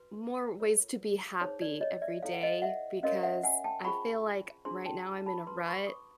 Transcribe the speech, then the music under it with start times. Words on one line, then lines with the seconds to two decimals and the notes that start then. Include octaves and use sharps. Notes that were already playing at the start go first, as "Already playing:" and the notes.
more ways to be happy every day because I feel like right now I'm in a rut,
Already playing: F#4 B4
0.60 F4 A#4 C#5
1.41 D#4 G#4 C5 C#5
1.62 D5
1.81 C#5 D#5
2.02 D5 E5
2.23 E4 A4 C#5 F5
2.33 F#5
2.43 D#5 F5
2.62 E5 F#5
3.03 C#4 F#4 A#4 C#5 D#5 F5
3.23 E5 F#5
3.43 F#5 G#5
3.64 G5 A5
3.84 F4 G#4 C5 B5 C#6
4.65 D4 F4 G#4 C5 A#5 C6
4.85 G5 A5
5.26 A5 B5
5.47 F#4 B4 A#5 C6
5.58 D6
5.66 B5 C#6
5.87 C#6 D#6